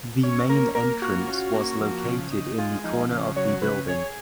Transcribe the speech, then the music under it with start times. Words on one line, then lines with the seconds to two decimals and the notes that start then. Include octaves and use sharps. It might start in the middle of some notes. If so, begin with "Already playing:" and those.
The main entrance was located in the corner of the building.
0.23 C#4 C#5
0.49 A#3 A#4
0.75 A#3 A#4
1.02 F4 F#4
1.27 C#4
1.54 A#3
1.80 F3
2.05 C#3
2.32 D#4
2.58 G#3 F4
2.84 F3 D#4
3.11 C#3
3.36 F#3 C#5
3.62 C#3 B4
3.88 G#4 C#5